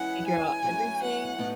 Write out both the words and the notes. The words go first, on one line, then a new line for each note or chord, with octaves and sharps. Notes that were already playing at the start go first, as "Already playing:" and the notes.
figure out everything.
Already playing: E3 G#3 C#4 E4 F#5
G#5
F#3 A3 C#4 E4
F#5
A2 F#3 B3 D#4